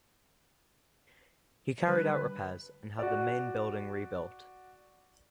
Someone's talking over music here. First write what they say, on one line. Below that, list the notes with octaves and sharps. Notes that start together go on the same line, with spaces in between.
He carried out repairs and had the main building rebuilt.
D3 G3 B4
F#4 D5